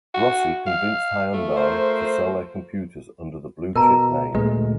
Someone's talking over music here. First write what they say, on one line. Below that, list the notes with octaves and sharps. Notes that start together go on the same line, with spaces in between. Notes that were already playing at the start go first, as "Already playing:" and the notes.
Rossi convinced Hyundai to sell their computers under the Blue Chip name.
F#4
F5
A3
F4 A#4 C5
B2 A#4 A5 A#5
D2 A#2 G#3 B4